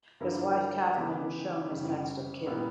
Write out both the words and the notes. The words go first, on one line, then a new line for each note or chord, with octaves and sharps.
His wife Catherine was shown as "next of kin".
G2 D3 A#3 E4 A#4
C#3 E3 B3 E4 G4
F#2 C#3 G3
A#2 G3 B3 E4 A#4